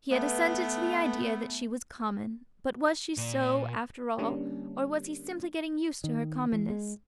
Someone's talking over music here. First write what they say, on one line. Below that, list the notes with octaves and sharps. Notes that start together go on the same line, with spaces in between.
He had assented to the idea that she was "common"; but was she so, after all, or was he simply getting used to her commonness?
A3 B3
A#2
D3 G3 A#3 C#4 D4
D#3
E3
G#3